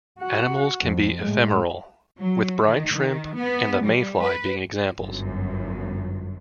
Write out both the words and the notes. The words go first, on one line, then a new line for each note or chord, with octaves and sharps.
Animals can be ephemeral, with brine shrimp and the mayfly being examples.
F#4 F#5
F2
A2 G#3
F#3
D#3
D#3
B3
G3
B4
G1 F#2